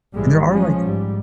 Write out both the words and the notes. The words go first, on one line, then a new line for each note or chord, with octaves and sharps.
and there are, like
A#1 G#2 E3 G3 G#3
F3 G#3 C#4
G#2 G3